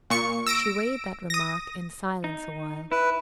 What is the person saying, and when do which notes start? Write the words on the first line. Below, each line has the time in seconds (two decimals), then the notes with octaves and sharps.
She weighed that remark in silence a while.
0.10 A#2 C#6 C#7
0.47 E6 A#6 D7
1.30 D#6 A#6
2.24 D#4
2.92 E4 B4